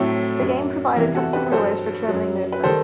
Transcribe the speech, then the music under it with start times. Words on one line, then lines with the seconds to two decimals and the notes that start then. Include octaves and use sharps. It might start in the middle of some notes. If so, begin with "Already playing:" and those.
The game provided custom rulers for determining movement.
Already playing: A2 F#3 A3 C4
0.40 F#2 F#3
0.96 E2 C3 E3 G3 E4 G4
1.15 F#4 A4
1.33 G4 B4
1.52 G2 F#3 A4 C5
2.08 F#2 F#3
2.52 B4
2.63 D#3 G3 A4 C5